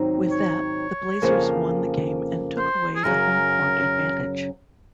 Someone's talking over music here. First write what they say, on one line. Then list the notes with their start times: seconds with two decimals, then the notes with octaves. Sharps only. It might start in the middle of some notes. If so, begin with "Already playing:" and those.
With that, the Blazers won the game and took away the home-court advantage.
Already playing: G#2 D#3 F#3 C4 D#4
0.31 C#5
1.22 F2 C#3 F3 A#3
2.59 C5
2.96 G#4
3.04 F#2 C#3 F#3 A#4